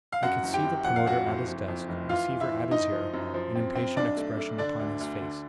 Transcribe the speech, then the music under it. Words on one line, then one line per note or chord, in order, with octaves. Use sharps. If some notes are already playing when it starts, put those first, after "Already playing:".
I could see the promoter at his desk, receiver at his ear, an impatient expression upon his face.
F5
F#2 F#4 F#5
F#1
G4 G5
F#2
F2 F#5
F5
F2 F#4 F#5
F#1
F2
F2
F1
E3 F4 F5
E3
E4 E5
E3
F#1 D#4 D#5
F3
F#2
F3
C4
C4
B1 D4 D5
A3
A3
D3 D4 D5
D2
D2
D3